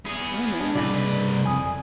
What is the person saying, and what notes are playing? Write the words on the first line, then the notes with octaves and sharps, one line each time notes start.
Oh man.
B3 G#4
D4
C2 C#3 B4 D5
F2 G#5 D#6